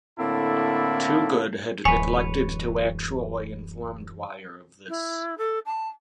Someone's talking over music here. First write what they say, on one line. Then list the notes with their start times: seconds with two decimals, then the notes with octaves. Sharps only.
Toogood had neglected to actually inform Dwyer of this.
0.19 A2 D3 A#3 C4 E4 A5
1.85 D1 F#2 E3 G#3 B4 C#5 G#5
4.89 E4
5.38 A4
5.66 A5